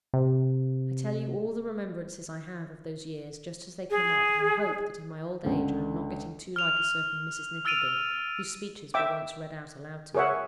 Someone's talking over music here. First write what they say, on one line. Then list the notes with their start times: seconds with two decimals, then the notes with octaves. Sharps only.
I tell you all the remembrances I have of those years just as they come up, and I hope that, in my old age, I am not getting too like a certain Mrs. Nickleby, whose speeches were once read out aloud to me.
0.14 C3
3.90 G#4
5.44 C#2 D3
6.56 F6 F7
7.65 E6 F6 A6 D7 D#7 F7
8.94 E5 G5 D6
10.15 G#4 A#4 C#5 E5 F#5